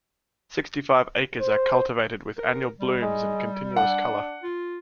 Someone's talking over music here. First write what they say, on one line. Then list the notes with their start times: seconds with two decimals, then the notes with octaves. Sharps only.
Sixty-five acres are cultivated with annual blooms and continuous color.
1.41 C5
2.37 A#4
2.80 G3
3.02 G#3
3.76 D4 F#5
4.43 F4